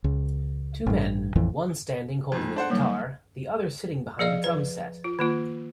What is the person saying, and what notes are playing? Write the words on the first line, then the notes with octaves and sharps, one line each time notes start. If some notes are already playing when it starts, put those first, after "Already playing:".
Two men one standing holding a guitar, the other sitting behind a drum set.
C#2
A1 G2
A1 F2 E3
F2 G#2
D4 C5 F#5
D#3 F#3 G3 A#3
F3 G#4 D5 D#5 F5
B4
F4
D#3 A#3 F4